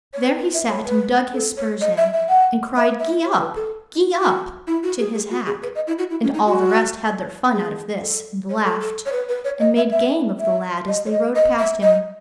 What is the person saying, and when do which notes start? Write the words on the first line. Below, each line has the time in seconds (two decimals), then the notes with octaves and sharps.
There he sat and dug his spurs in, and cried, "Gee up! gee up!" to his hack. And all the rest had their fun out of this, and laughed, and made game of the lad as they rode past him.
0.14 C#5
0.38 B4
0.54 E5
0.69 C#5
0.86 B4
1.33 A4
1.57 C#5
1.81 D#5
1.97 E5
2.13 E5
2.29 F#5
2.77 E5
3.00 E5
3.25 C#5
3.40 B4
3.56 A4
4.19 F#4
4.67 E4
4.83 F#4
4.99 G#4
5.15 G#4
5.30 F#4
5.46 G#4
5.63 B4
5.75 D#5
5.87 E4
5.98 F#4
6.10 E4
6.23 C#4
6.34 D#4
6.46 F#4
7.53 G#4
8.01 A4
8.49 C#5
8.65 A4
8.81 A4
9.06 C#5
9.12 B4
9.29 B4
9.45 C#5
9.60 D#5
9.77 E5
9.92 E5
10.39 E5
10.88 D#5
11.06 C#5
11.11 D#5
11.35 D#5
11.59 E5
11.82 D#5